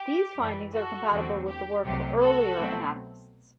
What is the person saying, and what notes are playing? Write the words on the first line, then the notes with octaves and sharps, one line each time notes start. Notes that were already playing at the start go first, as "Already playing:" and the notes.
These findings are compatible with the work of earlier anatomists.
Already playing: G4
F#2 E3 G3
F#4 A4
E2 D3 A3 C4
G4
C2 C3 F#3 A3 G4
F#4 A4
B2 F#3 A3 C4